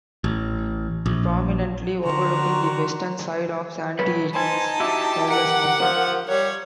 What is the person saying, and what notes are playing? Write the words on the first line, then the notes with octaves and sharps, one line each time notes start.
Prominently overlooking the western side of Santee is Cowles Mountain.
A1
A#1
D3 D#3 D4 F#4 A#5 C6
F#3 B4 C#5
D#4 C5 G#5 A5
E4 F#4 G4 E5
A#4 F#5
F3
G3 C#5